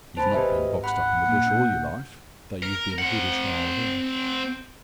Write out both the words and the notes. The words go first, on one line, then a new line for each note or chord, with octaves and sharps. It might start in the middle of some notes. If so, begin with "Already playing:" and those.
You've not been boxed up in the bush all your life, though you've been a goodish while there.
C2 C5 G#5 A5 B5
G#1 G4 B4 D#5 E5
F#5 B5 F#6
A#2
D4 G6
A#4
C4 F#5